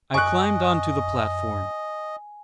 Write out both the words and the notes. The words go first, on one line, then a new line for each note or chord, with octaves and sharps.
I climbed onto the platform.
F#2 D#5 G#5 C#6 F#6